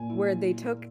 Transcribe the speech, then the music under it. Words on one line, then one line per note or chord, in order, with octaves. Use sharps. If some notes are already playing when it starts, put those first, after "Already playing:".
where they took
Already playing: A#2 G#5
E4